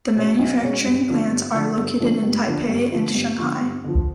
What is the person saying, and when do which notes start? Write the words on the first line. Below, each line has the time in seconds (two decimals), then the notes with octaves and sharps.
The manufacturing plants are located in Taipei and Shanghai.
0.16 B2 G#3 C#4
0.39 B1
0.62 B2 G#3 C#4
0.85 G2
1.09 D3 F3 A3 D4
1.31 G2
1.54 D3 F3 A3 D4
1.78 G2
2.00 D3 F3 A3 D4
2.23 G2
2.46 D3 F3 A3 D4
2.69 G2
2.92 D3 F3
3.15 G2
3.39 D3 F3
3.61 G2
3.84 D3 F3